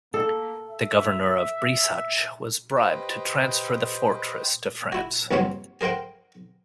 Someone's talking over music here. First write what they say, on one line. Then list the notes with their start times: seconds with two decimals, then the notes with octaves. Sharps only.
The governor of Breisach was bribed to transfer the fortress to France.
0.14 A#3 A4
0.70 E5
2.75 G4 B4 C5 D#5 G5
4.92 E4 F#4
5.31 A#1 G2 C3 F#3 C5 C#5
5.81 G#4 A#4 C5 F#5 G5